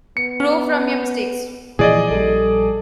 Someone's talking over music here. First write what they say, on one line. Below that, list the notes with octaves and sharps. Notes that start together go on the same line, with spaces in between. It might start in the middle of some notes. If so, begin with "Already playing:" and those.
You grow from your mistakes.
B3 C#7
A#2 E3 F3 G#4 D5 D#5
A#1 G3 A4